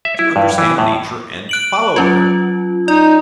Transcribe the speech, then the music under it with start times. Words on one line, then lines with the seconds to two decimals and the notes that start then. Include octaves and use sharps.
To understand Nature, and to follow her!
0.05 E5
0.19 E4
0.36 G2
0.58 E3
0.78 A2
1.49 F#6 D7 F#7
1.96 F#3 C#4 F4
2.88 D#4 D5